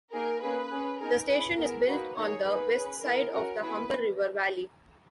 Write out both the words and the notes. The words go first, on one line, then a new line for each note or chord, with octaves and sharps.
The station is built on the west side of the Humber River valley.
A#3 D#4 G#4 A#4
A#3 C#4 G#4 B4
C#4 G#4
B3 D#4 G#4 A#4
C#4 E4 G#4 B4
B3 E4 G#4 A#4
A#3 D#4 F#4 B4
A#3 D#4 G#4 C#5
A#3 D#4 G#4 B4
C#4 G#4
B3 E4 G#4 A#4
C#4 F#4 A#4
B3 E4 G#4 B4